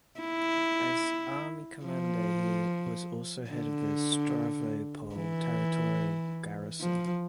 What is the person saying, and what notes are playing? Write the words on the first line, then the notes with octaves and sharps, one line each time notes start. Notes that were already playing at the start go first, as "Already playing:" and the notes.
As army commander he was also head of the Stavropol Territorial Garrison.
E4
F3
D3
E3
F3